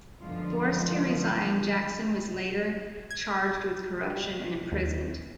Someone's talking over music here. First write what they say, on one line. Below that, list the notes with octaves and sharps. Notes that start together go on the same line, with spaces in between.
Forced to resign, Jackson was later charged with corruption and imprisoned.
F#2 D3 F3 G#3 B3 F4
G#6
G3
D#2